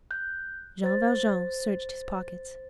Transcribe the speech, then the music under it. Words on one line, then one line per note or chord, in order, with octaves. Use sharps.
Jean Valjean searched his pockets.
F#6 G6
C5 A6